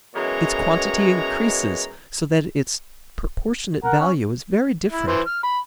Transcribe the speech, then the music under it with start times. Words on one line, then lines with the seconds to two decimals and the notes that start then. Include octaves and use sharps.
Its quantity increases so that its proportionate value is very different.
0.14 F#2 B2 E3 G#3 C#5 A#5
3.84 A#4 F#5
4.00 C#4
4.92 E4
5.07 E3 C5
5.27 F6
5.43 B5